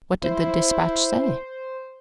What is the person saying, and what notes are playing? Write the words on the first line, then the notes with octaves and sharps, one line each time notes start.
What did the despatch say?
E4 C5